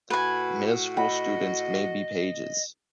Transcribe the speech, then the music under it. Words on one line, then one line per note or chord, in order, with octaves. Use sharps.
Middle school students may be pages.
A2 F#4 B4 G#5
D#5 F#5 B5